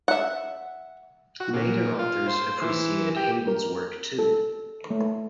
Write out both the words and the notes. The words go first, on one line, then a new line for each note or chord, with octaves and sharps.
Later authors appreciated Hebel's work too.
E5 F#5
F#4
A#2
F4
C5
E3
G4
A#4
A4
A3